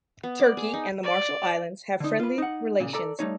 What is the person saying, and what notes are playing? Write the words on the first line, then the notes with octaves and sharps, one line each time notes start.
Turkey and the Marshall Islands have friendly relations.
B3
D5
G#4
D#4
D5
D3 D#4
F4 B4
D#4 F#5
A#2 C#3
A4 D5 A#5
G3 A3 D#4 C#5